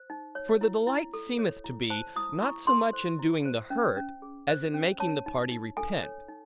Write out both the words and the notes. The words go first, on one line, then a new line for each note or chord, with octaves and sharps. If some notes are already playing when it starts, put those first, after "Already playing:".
For the delight seemeth to be, not so much in doing the hurt, as in making the party repent.
Already playing: C5
D#4
C#5
E4
E4
A4
C#5
E4
C5 A5
E4 D#6
E4 C#6
A4 C6
C5
E4
C5
C#4
C#4
G#4
C5
C#4
C#5 A5
D#4
D#4
A4 G#5
C#5
D#4